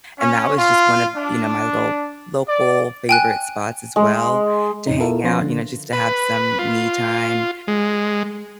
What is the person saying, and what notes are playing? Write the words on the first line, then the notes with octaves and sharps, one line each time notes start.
And that was just one of, you know, my little local favorite spots as well, to hang out, you know, just to have some me time,
C#4
F4
D4
D5
G5 G#5 F#6
G#3
F2 A#2 C#4 D#4
E4 F4 A4 A#4
F3 B3 C#4 F4 C6 A#6
D3
B4
F4
G#3